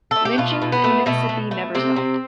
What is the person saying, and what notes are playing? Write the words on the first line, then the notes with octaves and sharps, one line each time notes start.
Lynchings in Mississippi never stopped.
A3 A4
G4
B2 F4
B2
B3
A3
B2 A3
B2
A3
C3 C4
C3